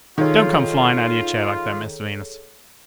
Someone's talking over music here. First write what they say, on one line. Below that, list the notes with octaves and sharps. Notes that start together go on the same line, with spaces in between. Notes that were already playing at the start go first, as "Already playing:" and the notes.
Don't come flying out of your chair like that, Mr Venus!'
D#3 F4 G#4 A4 C#5